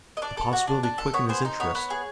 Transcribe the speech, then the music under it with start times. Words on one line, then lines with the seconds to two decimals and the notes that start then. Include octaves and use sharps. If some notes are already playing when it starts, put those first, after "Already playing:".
The possibility quickened his interest.
0.17 D#5
0.22 D4 D5
0.37 A4
0.53 F#4
0.67 D4
0.83 D4
0.98 A4
1.13 B3 C#5
1.29 G#4 C5
1.45 D#4 C5
1.60 B3 C#5
1.75 B3
1.90 G#4